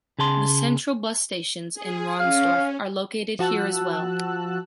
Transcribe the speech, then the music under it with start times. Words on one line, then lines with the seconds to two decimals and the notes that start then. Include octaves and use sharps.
The central bus stations in Ronsdorf are located here as well.
0.19 C#3 G#4 A5 C6
1.74 G#4
2.20 C#4 F5
3.39 F3 F#4 A5 E6 F#6